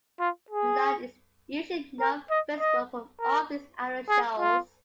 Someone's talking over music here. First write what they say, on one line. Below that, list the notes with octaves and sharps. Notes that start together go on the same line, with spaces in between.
The land is usually not visible from off these outer shoals.
F4
G#4
A#4
D#5
D#5
A#4
G#4
F4